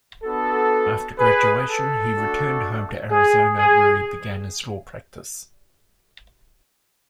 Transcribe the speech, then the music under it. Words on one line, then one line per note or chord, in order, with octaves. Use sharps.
After graduation, he returned home to Arizona, where he began his law practice.
B3 D4 F#4 A4
G#4 B4
A4
A3 D4 F#4
G#4
G#4